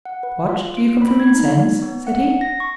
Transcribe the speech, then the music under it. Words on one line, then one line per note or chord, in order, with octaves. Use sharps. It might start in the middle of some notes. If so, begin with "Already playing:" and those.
"What, do you come from Vincennes?" said he.
F#5
B4
F4
D7
B5
G#6
D#4
C#5
B3
F#5
A#6
C#6